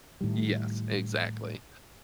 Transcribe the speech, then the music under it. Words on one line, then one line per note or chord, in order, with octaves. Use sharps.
Yes, exactly,
A2 D#3 G3